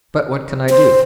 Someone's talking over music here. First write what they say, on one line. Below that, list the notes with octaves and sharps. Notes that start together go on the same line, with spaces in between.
But what can I do?
C5